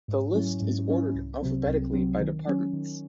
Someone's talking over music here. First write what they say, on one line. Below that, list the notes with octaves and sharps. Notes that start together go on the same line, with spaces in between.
The list is ordered alphabetically by departments.
G#2
F#3 C#4 E4
G#2
F#3 C#4 E4
C2
C3 F#3 C4
C2
C3 F#3 C4
D#3
F#3 C#4
D#3